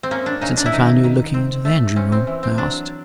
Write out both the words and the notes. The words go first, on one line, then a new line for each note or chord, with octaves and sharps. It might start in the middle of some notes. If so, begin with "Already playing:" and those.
"Since I found you looking into the engine-room?" I asked.
C4
A#3 C#4
D4
C#3 D#4
D4
E4
D#3 D#4
D#3
C4
A3
C4 C#4
C4
E3
C4
F#3 D4